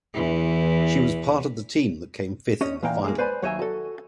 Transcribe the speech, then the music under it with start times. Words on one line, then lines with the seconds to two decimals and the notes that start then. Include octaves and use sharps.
She was part of the team that came fifth in the final.
0.14 E2 E3
2.61 C#4 C#5 D#5
2.83 A#2 E3 A#3 F5 G5
3.04 G#3 A#3
3.18 B4 C5 D5 G#5 B5
3.42 D#2 F#3 C#5 D#5 E5 G#5
3.59 F#4 A4